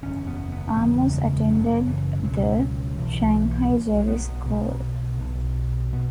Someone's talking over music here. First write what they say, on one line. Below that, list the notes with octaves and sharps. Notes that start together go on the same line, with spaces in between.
Amos attended the Shanghai Jewish School.
F#1 E2 C#3 C#4
B3
B3
F#1 E2 C#3 B3
G#3
F#1 F#2 C#3 F#3
E3
E3
C#2 B2 F#3
B1 B2 E3
E3
B1 B2 F#3
G#3
B3
B1 B2
B1 B2
B2 B3